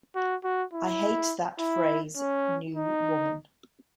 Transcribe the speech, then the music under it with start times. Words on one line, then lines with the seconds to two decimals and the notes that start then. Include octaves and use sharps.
I hate that phrase New Woman.
0.15 F#4
0.44 F#4
0.73 E4
1.59 E4
2.17 C#4
2.75 D#4